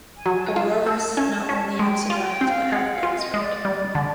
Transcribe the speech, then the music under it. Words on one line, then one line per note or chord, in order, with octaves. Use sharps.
Aroras not only have survived but have prospered.
G#5
F#3
A5
G#5
F4 A5
A3 A5
C#4
C#4
G#3 G5
G#5
F4
G5
C4
F5
G#3 F#5
F5
F4
D#5
G#3 D#5
D5
G3
D3